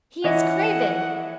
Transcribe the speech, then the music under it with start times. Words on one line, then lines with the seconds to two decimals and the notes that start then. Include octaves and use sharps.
He is craven!
0.24 E3 C#5 D#5 F#5